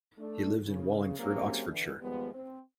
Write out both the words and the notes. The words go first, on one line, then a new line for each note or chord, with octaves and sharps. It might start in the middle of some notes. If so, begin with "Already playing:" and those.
He lived in Wallingford, Oxfordshire.
A3 D4
C#3
F#3 G#3 A#3 C4 C#4 G4
D3 E3
D#2 F3 G3 G#3 B3
C4